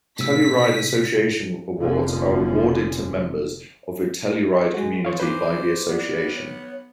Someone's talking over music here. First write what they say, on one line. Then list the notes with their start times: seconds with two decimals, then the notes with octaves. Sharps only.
Telluride Association Awards are awarded to members of the Telluride community by the Association.
0.19 A2 C3 E6 B6
1.79 F1 F2 D3 F3 A#3 C#4
4.74 G#3 F#4
5.05 E3 C5 C#5 F5
5.20 B4 C5 D6
5.89 B3 D5
6.36 C#5